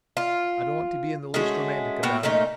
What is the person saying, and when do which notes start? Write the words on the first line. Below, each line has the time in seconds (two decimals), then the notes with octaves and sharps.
I don't want to be in the least romantic about it.
0.17 F4
1.34 G#3 A3 C#4 F#4
2.03 A#2 B3 F#4 G5
2.23 A#2 A3 C#4 D#4